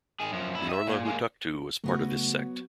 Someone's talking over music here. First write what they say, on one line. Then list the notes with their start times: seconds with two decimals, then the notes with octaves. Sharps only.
Norla Hutuktu was part of this sect.
0.20 D#3 G#4
0.32 F#2 F3
0.55 G2 E4
0.69 D#5 E5
0.87 A#2
1.05 G#3 A#3
1.84 C#3 F#3 A3 B3 F#4